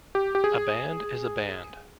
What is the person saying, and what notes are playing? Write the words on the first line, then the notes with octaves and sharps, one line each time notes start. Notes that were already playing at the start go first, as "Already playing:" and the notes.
A band is a band.
G4
G4
G#4